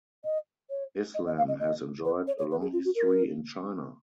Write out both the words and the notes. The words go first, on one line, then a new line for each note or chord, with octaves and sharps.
Islam has enjoyed a long history in China.
D#5
C#5
D#5
D#5
F5
D#5
D#5
B4
C#5
C#5
B4
G#4
F4
F#4
A#4